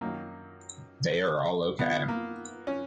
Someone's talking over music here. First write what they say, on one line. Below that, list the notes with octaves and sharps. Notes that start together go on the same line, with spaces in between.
They are all OK.
F#2 D#3 F#3 A#3
B3
A#3
C#4